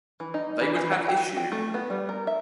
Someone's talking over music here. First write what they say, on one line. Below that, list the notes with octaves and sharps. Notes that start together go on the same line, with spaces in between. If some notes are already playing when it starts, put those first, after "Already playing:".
They would have Issue.
E3
D#4
E3
E3
F#5
G5
G5
A3
B3
G3
A#4
E5